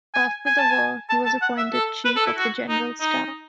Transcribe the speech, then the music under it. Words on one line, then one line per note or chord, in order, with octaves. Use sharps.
After the war he was appointed Chief of the General Staff.
G#5
G#5
A5
G#5
A5
A5
F#5
E5
A4
B4
A4
E4
F#4
D#4
D#4